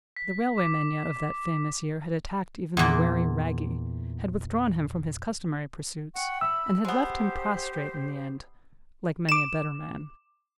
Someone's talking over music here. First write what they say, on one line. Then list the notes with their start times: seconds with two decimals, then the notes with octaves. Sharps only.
The railway mania of that famous year had attacked even the wary Wragge; had withdrawn him from his customary pursuits; and had left him prostrate in the end, like many a better man.
0.16 B6
0.58 D6
2.77 E2 A#2
6.14 F#5 G5 C#6
6.41 E5 B5 E6
6.85 G#3 B3 G4 C5
9.29 D6 E7